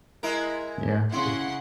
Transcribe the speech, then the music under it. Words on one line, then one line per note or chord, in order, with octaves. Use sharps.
Yeah, it
G#3 E4 A#4
C#3 E4 F#5 C6